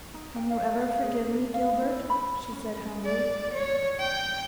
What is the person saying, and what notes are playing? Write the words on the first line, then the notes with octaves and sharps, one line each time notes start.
"Can you ever forgive me, Gilbert?" she said humbly.
D#4
G5
F5
F5
G#4
D4
F5
E4
B5
C#4
D5
C#5
G5